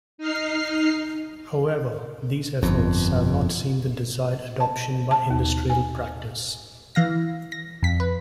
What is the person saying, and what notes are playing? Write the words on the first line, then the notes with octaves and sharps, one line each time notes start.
However, these efforts have not seen the desired adoption by industrial practice.
D#4 F6 C7
G1 F2
A5
A5
D#2
G#5
E3 F5 A#6
A#6
F2 B6
B4